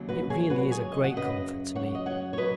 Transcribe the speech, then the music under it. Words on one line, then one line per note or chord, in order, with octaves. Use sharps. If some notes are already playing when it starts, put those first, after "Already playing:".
It really is a great comfort to me.
Already playing: D#2 C#3 F#3
F#4 B4
G#4 C#5
F#4 B4
G#4 C#5
D#5
F#5
F#2 C#3 F#3 B4 D#5
C#5 F#5
D#5
C#5 F#5
C#5
F#3 B4 D#5